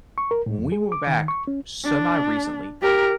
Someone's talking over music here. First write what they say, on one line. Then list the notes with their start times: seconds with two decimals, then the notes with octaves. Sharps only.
When we went back semi-recently,
0.18 C#6
0.31 A#4
0.46 A2
0.58 F2
0.72 G#4
0.92 D6
1.07 D#3
1.28 C#6
1.47 C#4
1.84 D4
2.82 G4 A#4